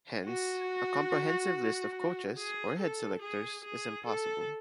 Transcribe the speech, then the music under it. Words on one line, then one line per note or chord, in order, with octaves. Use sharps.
Hence a comprehensive list of coaches, or head selectors, is impossible.
F#4
G#4
A4
G#4
G#4
A4